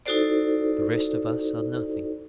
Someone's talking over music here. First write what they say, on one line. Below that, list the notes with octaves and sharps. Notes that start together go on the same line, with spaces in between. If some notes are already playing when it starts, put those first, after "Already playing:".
The rest of us are nothing.
D#4 E4 F#4 A4 C5 D5